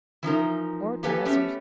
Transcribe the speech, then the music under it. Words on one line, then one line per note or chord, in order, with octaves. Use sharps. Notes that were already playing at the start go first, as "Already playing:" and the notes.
Or to Messrs.
E3 F3 D#4 A#4
A#3 G4 A4 B4 F5 G#5
A3 B3 C#4 G4